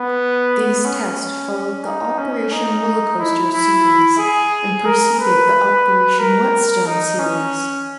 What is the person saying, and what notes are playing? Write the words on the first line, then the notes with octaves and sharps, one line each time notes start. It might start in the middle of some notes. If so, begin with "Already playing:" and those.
These tests followed the "Operation Roller Coaster" series and preceded the "Operation Whetstone" series.
Already playing: B3
C#4
D#4
C#4
D#4
E4
E4
G#4
A#4
B4
A#4
D#4
C#4